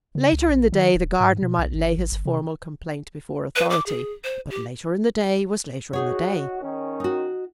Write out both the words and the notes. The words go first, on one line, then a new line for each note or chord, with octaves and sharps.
Later in the day the gardener might lay his formal complaint before authority, but later in the day was later in the day.
C#3
C#2
A#1
D#3
D1
G#2
B2
B1
G1
G#1
G1
C3
B4
D6
G#4
C5
G4
D#4 F#4 G#4 C#5
D#3 C#4
D#4 F#4